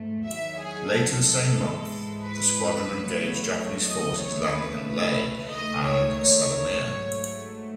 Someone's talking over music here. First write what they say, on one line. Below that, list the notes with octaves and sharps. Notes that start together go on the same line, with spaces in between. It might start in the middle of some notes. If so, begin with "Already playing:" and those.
Later the same month, the squadron engaged Japanese forces landing at Lae and Salamaua.
Already playing: G#2 A3
E2 D#3 F#3 E5
G#4
A4
G#2 E3 G#3
B4
E2 C#3 F#3 A3
C#5
D#5
D#2 C#3 E3 A3 C#5
B4
B4
D#2 D#3 A3 D#5
C#5
C#5
G#2 F#3 A3